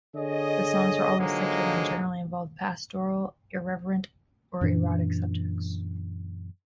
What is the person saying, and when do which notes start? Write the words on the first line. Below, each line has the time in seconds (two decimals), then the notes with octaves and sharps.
The songs were always secular, and generally involved pastoral, irreverent, or erotic subjects.
0.15 D3 G#4 C#5 D#5
1.19 D3 F3 F#3 G#3 A#3 D#4
4.61 F#2 A#2 E3 D4